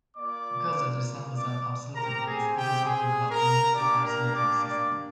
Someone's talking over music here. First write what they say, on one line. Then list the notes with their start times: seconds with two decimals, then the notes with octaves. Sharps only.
Because that resembles an absolutive case, it is often called a nominative-absolutive system.
0.17 A#3 F4 D5 D6
1.36 D5 D6
1.95 C4 G4 A#4 A#5
2.26 G#4 G#5
2.56 G4 G5
2.86 G#4 G#5
3.31 A#4 A#5
3.75 A#3 D4 G4 D5 D6
4.05 A#4 A#5
4.35 D5 D6
4.65 D5 D6